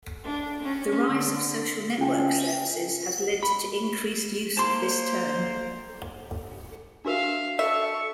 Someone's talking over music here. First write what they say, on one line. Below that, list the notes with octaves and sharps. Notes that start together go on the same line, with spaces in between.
The rise of social network services has led to increased use of this term.
D4
C#4
D3
C#3 F4 G5 G#5
B5
A#3 C5 A5 C6
D4 F#4 A#4 E5 F5
A4 E5 C#6